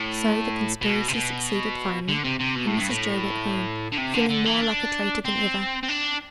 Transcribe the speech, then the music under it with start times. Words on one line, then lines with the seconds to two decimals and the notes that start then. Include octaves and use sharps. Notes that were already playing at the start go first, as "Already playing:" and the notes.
So the conspiracy succeeded finely; and Mrs Jo went home, feeling more like a traitor than ever.
Already playing: A2
0.82 B2
1.08 C3
1.13 B2
2.08 D3
2.24 C3
2.39 C3
2.55 B2
2.67 A2
2.78 G2
2.89 A2
3.92 D3
3.98 C3
4.13 D3
4.29 D3
4.45 E3
4.61 D4
5.25 C4
5.83 C4
5.88 D4